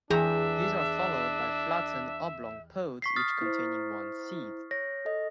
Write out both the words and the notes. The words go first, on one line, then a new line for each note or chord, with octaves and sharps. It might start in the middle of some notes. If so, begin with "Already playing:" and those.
These are followed by flattened oblong pods each containing one seed.
E2 D4 G4 G#4 E5 A#5
C#6 B6 C7
D#6 F6 A6
E4 C5
C#5 A#6
A4 D#5